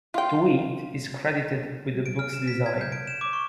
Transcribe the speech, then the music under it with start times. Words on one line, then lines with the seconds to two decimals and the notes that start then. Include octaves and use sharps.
Tweet is credited with the book's design.
0.14 E4 F4 G5
2.06 D7
2.19 F6
2.33 E7
2.48 B6
2.66 G#6
2.81 G6
2.92 D7
3.07 E7
3.21 D6
3.33 C#6